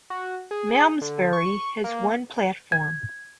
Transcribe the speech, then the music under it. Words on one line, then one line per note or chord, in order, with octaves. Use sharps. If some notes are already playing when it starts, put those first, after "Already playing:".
Malmsbury has one platform.
F#4
G#4
D3
C#6
A#3
G#6